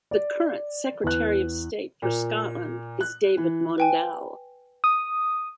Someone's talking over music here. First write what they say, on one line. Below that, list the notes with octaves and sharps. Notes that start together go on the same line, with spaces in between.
The current Secretary of State for Scotland is David Mundell.
D5
E2 F#6
A#2
F#6
E3
B4 G5 G#5
D#6